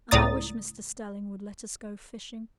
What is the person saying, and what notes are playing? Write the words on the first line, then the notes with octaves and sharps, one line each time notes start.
And I wish Mr. Stelling would let us go fishing.
C#2 A2 D5 A#5 D#6 A6